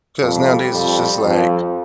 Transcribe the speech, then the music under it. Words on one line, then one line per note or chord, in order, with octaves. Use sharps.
‘cause nowadays, it's just like,
F2 G3
F2
F2 F3